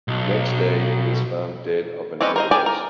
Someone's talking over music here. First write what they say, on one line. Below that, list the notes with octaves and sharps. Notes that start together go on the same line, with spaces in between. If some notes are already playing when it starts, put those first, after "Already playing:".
Next day he is found dead of an overdose.
B1
G3 C4 C#4 B4 D#5
A#4 C5 D#5
G4 G#4 D5 G5 G#5
A#4